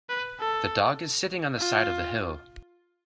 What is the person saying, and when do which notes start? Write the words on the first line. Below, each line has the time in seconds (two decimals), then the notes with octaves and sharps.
The dog is sitting on the side of the hill.
0.10 B4
0.40 A4
1.57 F4